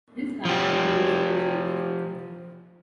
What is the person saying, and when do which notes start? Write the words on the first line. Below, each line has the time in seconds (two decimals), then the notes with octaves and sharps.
This fact remains unchanged.
0.45 F3 G4